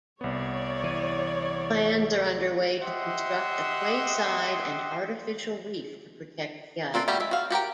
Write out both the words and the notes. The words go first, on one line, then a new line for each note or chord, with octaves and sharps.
Plans are underway to construct a quayside and artificial reef to protect the island.
C2 B3 C#5 D5
E3
G4 D#5 E5 F#5 C6
A#3 C4 D4 A4
G3 A3 D4 F#4 G4
G#3 E5
F#4 F5
F#4 G4 A#4 G5